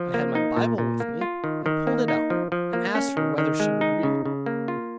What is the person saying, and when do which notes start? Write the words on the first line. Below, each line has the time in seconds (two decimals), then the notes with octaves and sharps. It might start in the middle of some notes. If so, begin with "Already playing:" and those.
I had my Bible with me, I pulled it out, and asked her whether she would read.
Already playing: F3
0.14 A#3
0.35 D#4
0.57 A#2
0.78 A#2
1.00 A#3
1.21 F4
1.44 D#3
1.66 D#3
1.87 A#3
2.08 D#4
2.30 F3
2.52 F3
2.73 A#3
2.95 C#4
3.17 D#3
3.38 D#3
3.60 G#3
3.81 D#4
4.03 C#3
4.25 C#3
4.46 A#3
4.68 F4